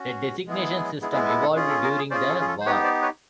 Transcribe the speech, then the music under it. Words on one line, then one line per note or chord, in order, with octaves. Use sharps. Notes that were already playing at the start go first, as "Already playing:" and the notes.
The designation system evolved during the war.
Already playing: C#4 F#4
G#3 B3 E4 G#4
G#3 B3 E4 G#4
G#4
A4
A4
C#4 F4 G#4
A4
G#4 A#4
G#4
C#4 F4 G#4 C5 D5
A4
G#4
A4
C5
B3 D#4 G4 B4 C#5
C5 D5
B4 C#5